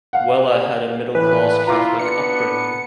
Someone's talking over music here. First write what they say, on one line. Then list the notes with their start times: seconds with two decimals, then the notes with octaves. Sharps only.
Weller had a "middle-class Catholic" upbringing.
0.13 F5 F#5
1.15 A2 E3 B4
1.67 E4 F4 A#5 D6
1.99 B3 D4 B4 C#7